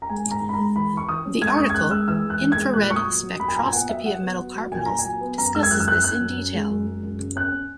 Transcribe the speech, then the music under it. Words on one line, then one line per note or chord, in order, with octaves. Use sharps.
The article infrared spectroscopy of metal carbonyls discusses this in detail.
A#5
G#3 G#5
G#2
A#5
G#2
B5
A#5
G#3
E3 B5
E3 C#6
E3 D#6
C#4
G#3 G#6
C#6
C#4 D#6
G#6
G#3 F#6
G#3 E6
E3 E6
G#3
F#6
E3
G#3 G#6
A#2 F#6
A#2 C#6
D#6
F#3
F#3
F#3 B5
G#5
A#2 A#5
G#5
B3 F#5
F#3 E5
F#3 F#5
B3
F#3
F#3
A#2 G#5
A#2 A#5
G#5
F#3
B3
F#2 A#5
G#3 E6
G#6
F#2 F#6
E6
C#4 F#6
C#4 F#6
F#2
C#4
G#3
F#2
G#3
F#2
C#3
C#4 F#6
C#4